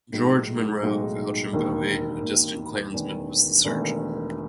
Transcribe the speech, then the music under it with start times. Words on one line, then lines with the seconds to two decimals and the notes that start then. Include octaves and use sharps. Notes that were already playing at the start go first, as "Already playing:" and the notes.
George Munro of Auchinbowie, a distant clansmen, was the surgeon.
0.12 B1 A2 G#3 D#4
0.83 B1 A2 G#3 D#4
1.53 E1 D#2 D#3
2.23 E1 D#2 D#3
2.94 E1 E2 D#3 A3
3.65 E1 E2 D#3 A3